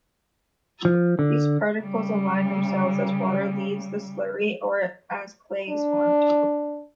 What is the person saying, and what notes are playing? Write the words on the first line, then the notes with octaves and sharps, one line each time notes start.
These particles align themselves as water leaves the slurry, or as clay is formed.
F3
D3
C#3 G3
D4